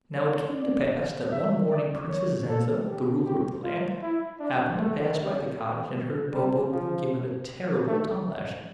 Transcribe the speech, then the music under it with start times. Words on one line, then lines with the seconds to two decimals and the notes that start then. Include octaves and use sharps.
Now it came to pass that one morning Princess Zenza, the ruler of the land, happened to pass by the cottage and heard Bobo being given a terrible tongue-lashing.
0.16 C#5
0.55 D5
1.32 E5
1.70 D5
2.09 C#5
2.48 A4
2.87 G4
3.25 G4
3.63 F4
4.02 E4
4.40 D4
4.78 A3
5.18 G3
5.56 A3
6.33 G3
6.71 F3
7.87 A3
8.26 C#4